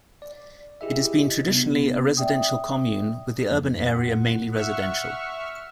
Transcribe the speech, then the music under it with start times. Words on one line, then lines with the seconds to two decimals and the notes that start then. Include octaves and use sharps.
It has been traditionally a residential commune, with the urban area mainly residential.
0.22 D5
0.81 E4 G4 G#4 D#5 E5
1.47 C3 B3 D4
2.17 D5 E5 G5 D#6
3.50 F2 F3 A#3
3.88 A#2 F4 F#5
4.53 E5 F#5 C#6 F6